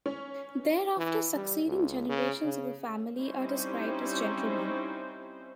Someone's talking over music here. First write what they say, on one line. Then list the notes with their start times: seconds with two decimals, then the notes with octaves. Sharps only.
Thereafter succeeding generations of the family are described as gentlemen.
0.06 C#4
0.97 E3
1.36 G3
1.67 C#2
2.08 C#3
2.44 C#3
3.17 G3 C4 C#4 D#4 E4 C5